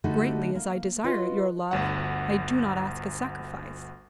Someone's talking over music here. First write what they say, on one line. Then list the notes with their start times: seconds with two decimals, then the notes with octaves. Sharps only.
Greatly as I desire your love, I do not ask a sacrifice.'
0.04 D3 G3 A3 D#4 F#4 A4
0.55 A#3
1.04 F4 F#4 B4 D#5
1.71 G1 D2 F#5